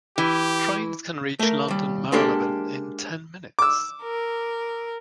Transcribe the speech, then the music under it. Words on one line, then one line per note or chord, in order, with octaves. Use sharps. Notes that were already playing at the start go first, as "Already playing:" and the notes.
Trains can reach London Marylebone in ten minutes.
E3 G4
A3 A#4
D#2 G3
G#3 A#3 D4 G4 A4 D5
D6 E6
A#4